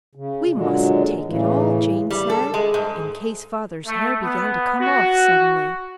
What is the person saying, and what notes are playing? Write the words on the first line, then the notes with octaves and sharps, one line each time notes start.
'We mustn't take it all,' Jane said, 'in case father's hair began to come off suddenly.
C#3
A#2 D3 F#3 G#3
A2 C#3 E3
G3
A4
G#3
G#2
A3
B3
F#4